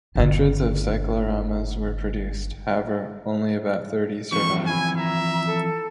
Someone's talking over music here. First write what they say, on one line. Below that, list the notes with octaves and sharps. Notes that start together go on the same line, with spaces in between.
Hundreds of cycloramas were produced; however, only about thirty survive.
G1 D3
E3 F3 C4 C#6
E4 G#5
E5 A#5
A4